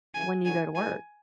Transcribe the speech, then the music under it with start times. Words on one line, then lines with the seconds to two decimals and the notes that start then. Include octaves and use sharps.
when you go to work,
0.14 C#3 E3 G#5
0.44 D3 F#3 G#5
0.74 E3 G#3 G#5